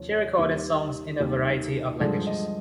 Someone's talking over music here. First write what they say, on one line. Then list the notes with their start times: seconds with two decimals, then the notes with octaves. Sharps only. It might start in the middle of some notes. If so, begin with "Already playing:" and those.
She recorded songs in a variety of languages.
Already playing: D#2 D3 F3 C#5
0.12 C#5
0.38 D#2 D#3 G3
1.19 D#2 D#3 G3
2.00 G2 D3 F3 G#3 D5
2.27 D#5